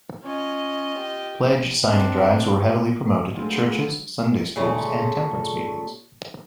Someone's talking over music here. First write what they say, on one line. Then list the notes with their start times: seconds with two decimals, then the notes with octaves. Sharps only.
Pledge signing drives were heavily promoted at churches, Sunday schools, and temperance meetings.
0.24 C#4 F4 D#5
0.97 G4
1.88 C4 D4
3.36 F#3 G#3 A3 B3 C4 D4 F4 G#4
4.56 A#2 C#3 G3 A3